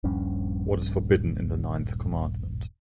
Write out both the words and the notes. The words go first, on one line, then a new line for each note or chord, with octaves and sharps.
What is forbidden in the ninth commandment?
D#1 A#1 G2 C#4